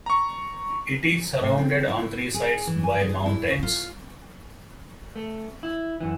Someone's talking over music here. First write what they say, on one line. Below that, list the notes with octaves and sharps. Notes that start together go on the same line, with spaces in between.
It is surrounded on three sides by mountains.
A#5 C#6
A2
C4
E4
G#4
E3
G#5
G#4
E4
C#3
F4
A3
E4
F#2 E3